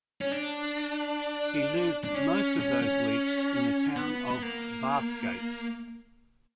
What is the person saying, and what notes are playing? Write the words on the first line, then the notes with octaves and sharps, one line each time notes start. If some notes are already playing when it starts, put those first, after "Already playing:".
He lived most of those weeks in the town of Bathgate.
C#4
D4
D4
C#4
C#4
C#4
B3
B3
A#3